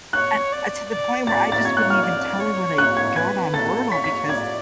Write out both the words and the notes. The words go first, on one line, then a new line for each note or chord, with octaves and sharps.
and, uh, to the point where I just wouldn't even tell her what I got on Wordle, because
C#5 F#6
D5
D5
D5 A6
A6
C#5 G#6
F#6
F6
D5
C#5
F#6
G#6
B4 G#6
A4 A6
C#5 B6
B6
D5 G#6